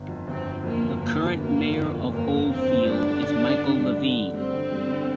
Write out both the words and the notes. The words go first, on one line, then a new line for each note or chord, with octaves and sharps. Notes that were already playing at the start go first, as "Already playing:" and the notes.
The current mayor of Old Field is Michael Levine.
Already playing: G1
F2
G1 C4
G1
F2 A#3
G1
G1 A#3
G1
G1 A#3
D3
F2
F2
G1 A#3
G1
G1 C4
G1
G3 D4
D3
D3
D3
D3
G3
D3
D3
G3 C4
D3
G3
D3